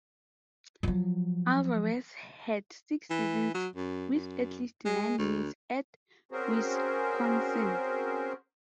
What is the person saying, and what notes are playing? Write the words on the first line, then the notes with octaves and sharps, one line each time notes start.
Alvarez had six seasons with at least nine wins at Wisconsin.
F3 F#3
E3
F#3
F#2
F#2
G#3
D2
C4 C#4 F#4 G#4 A#4 C5